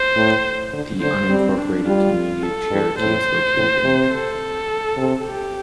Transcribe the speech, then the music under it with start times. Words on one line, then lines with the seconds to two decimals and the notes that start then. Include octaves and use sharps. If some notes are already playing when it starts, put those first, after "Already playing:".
The unincorporated community of Cherokee is located in the town.
Already playing: C5
0.16 A2
0.73 D3
1.01 D3 C5
1.29 G3 C4
1.58 D4
1.86 G3 F4
2.43 A4
2.71 G2
2.99 A2 C5
3.56 A2
3.84 C3
4.12 A4
4.97 C3
5.25 G4